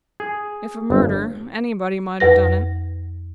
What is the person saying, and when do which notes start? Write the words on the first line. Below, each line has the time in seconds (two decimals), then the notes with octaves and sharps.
If a murder, anybody might have done it.
0.20 G#4
0.90 G1
2.20 F2 B4 A#6